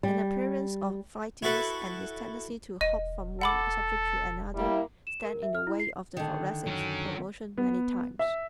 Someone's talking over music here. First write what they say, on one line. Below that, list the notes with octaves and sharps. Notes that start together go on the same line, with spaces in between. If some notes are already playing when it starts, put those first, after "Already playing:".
An appearance of flightiness and his tendency to hop from one subject to another, stand in the way of the Thoracic's promotion many times.
G3
E4 F#4 A4 B4
E1 D#5 D#7
A4 F#5 B5 D6
G3 A#3 E4
E7
A#4
E5
F6
E4
C7
D3 D#3
F#3 C#4
B3
E5